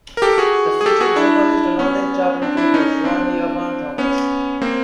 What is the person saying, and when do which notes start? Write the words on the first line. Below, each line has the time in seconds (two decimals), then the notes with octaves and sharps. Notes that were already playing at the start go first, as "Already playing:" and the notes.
The featured vocalist on all their chart entries was Joanne "Yavahn" Thomas.
0.17 A#4
0.22 G4 A4
0.38 F#4 G#4
0.81 G#4
0.86 G4 A4
1.00 F#4 G#4
1.16 D4 E4
1.79 B3 C#4
2.42 C4 D4
2.57 D4 E4
2.74 C#4 D#4
3.04 C4 D4
3.98 B3 C#4
4.62 A#3 C4